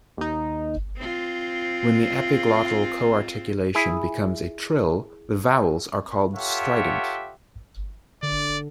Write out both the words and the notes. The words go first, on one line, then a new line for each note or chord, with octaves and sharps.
When the epiglottal co-articulation becomes a trill, the vowels are called strident.
D#2 D#4
C4 F4
E4 G#4
F4 G4 A4 C#5 E5 F#5
D3 D5